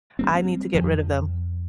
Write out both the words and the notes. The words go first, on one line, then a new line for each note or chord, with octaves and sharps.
I need to get rid of them.
G3 A#3 C4
F2 F3